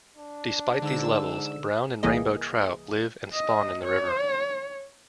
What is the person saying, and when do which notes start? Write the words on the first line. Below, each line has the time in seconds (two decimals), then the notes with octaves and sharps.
Despite these levels, brown and rainbow trout live and spawn in the river.
0.16 D4
0.81 G#2 D3 E6
2.03 C2 E3 A#3 G#4 D#5
3.33 D#5
3.83 C#5